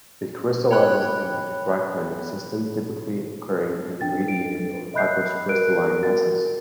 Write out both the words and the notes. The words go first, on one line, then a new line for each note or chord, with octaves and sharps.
It crystallizes in the triclinic system typically occurring in radiated or fibrous crystalline masses.
C#5 G5 B5 F#6
D4 G5 A6
D7
D#5 E5 B5 F#6 G6 C7
F#4 A#4 F#6 D7
F#4 A#4 A6